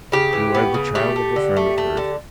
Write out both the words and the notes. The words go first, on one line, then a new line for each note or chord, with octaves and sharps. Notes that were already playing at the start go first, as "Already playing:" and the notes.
You are the child of a friend of hers.
C#3 G4
E3
B3
C#3
A3 G4
A3
D3
A3
A3
D3